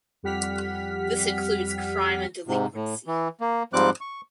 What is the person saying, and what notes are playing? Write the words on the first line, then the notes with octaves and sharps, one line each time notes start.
This includes crime and delinquency.
F2 G3 G4 F#5 F6 B6
G#2 C3
A2
E3
A#3
G#2 F3 G3 C4 D6 F#6
C#6